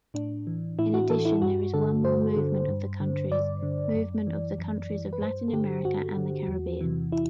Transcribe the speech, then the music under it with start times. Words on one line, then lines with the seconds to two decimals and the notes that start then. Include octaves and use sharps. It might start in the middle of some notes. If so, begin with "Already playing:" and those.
In addition there is one more movement of the countries - movement of the countries of Latin America and the Caribbean.
0.14 A2 D4
0.47 E3
0.79 A2 E4
0.94 F#4
1.10 E3 A4
1.25 E4
1.42 G2 F#4
1.74 D3 A4
2.04 G2 C5
2.36 D3
2.68 G2
3.00 D3
3.31 G2 D5
3.63 D3
3.94 F#2
4.27 E3
4.58 F#2
4.90 E3
5.13 B4
5.21 G2 C5
5.48 A4
5.53 D3 G4
5.85 G2 F#4
6.17 D3
6.48 E2
6.81 C3 E3
7.12 E4